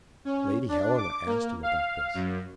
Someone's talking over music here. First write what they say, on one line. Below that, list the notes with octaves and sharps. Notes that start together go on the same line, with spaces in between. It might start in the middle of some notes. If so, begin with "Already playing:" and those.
Lady Helena asked him about this.
C#4
D4
D6
A#3
F5
F#2